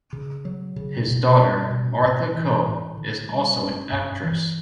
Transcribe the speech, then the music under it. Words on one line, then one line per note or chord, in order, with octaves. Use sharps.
His daughter Martha Cope is also an actress.
C#3
F#3
C#3
B2
G3
B2
A2
E3
A2
D3
G3
C#4
G2
E3